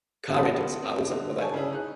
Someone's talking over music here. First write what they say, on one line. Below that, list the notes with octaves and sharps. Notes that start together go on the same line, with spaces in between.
Car rentals are also available.
F#5 A5 B5 C6 D#6
C4
D3
C#5 G#5 A5
C#3 D4 E4 G#4
D#4 F#6